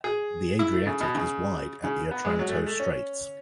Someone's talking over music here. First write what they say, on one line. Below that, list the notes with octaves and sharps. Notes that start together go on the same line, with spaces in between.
The Adriatic is wide at the Otranto Straits.
G#4
E4
A3
C#3
B2
C#3
C#3
B3
G#3
F#3
A3
G#3
A3
C#4